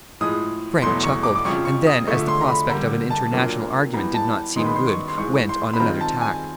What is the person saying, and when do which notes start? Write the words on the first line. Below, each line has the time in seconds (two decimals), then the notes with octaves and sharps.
Frank chuckled; and then, as the prospect of an international argument did not seem good, went on another tack.
0.21 A2 F3 G#3 D#6
0.82 E2 B2 F#3 A3 C6
1.03 C#6
1.24 D6
1.36 D6
1.45 F2 C#3 F3 C#6
1.65 C#6
1.87 D#6
2.07 D3 F3 A3 C#6
2.28 C6
2.41 A#5
2.48 B5
2.69 D3 G3 A#3 A#5
3.11 A5
3.31 A#2 F#3 A#3 D4
3.93 E3 G3 B3 A#5
4.14 A5
4.56 F#2 D#3 G#3 B3 D#4 C6
4.66 B5
4.76 C6
4.87 C#6
5.08 C6
5.17 G#2 E3 G#3 C#6
5.49 C6
5.74 B5
5.80 D#3 G#3 C4 F4 A#5
6.01 A5
6.21 G#5